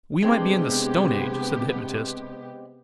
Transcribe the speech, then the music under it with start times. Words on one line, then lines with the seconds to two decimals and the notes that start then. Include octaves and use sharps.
"We might be in the Stone Age," said the hypnotist.
0.23 C3 G#3 B3 C4 D4 G4